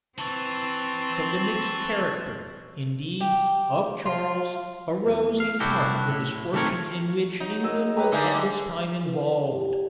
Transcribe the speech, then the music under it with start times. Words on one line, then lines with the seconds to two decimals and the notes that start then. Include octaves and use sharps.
From the mixed character, indeed, of Charles, arose in part the misfortunes in which England was at this time involved.
0.19 E3 C4 A5 C#6 A6
3.20 G4
4.05 F4
5.06 E2
5.40 F5
5.60 C2 C3 D4 E4 F#4 G5
6.08 A2
6.53 D#3 A3 C4 A4 A#4 C#5
7.40 F#3 D#4
7.64 F#4 G#4 A#4 D#5 E6
7.96 G4 B4 C#5 A#5
8.12 D3 G3 A#3 D#4 E5 G#5 G6
9.05 E3
9.53 G4